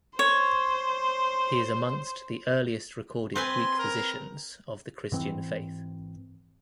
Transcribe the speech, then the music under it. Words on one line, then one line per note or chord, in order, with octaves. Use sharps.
He is amongst the earliest recorded Greek physicians of the Christian faith.
C5 C#5
C4 B4 G#5 C6
A#4
G#2 E3 C4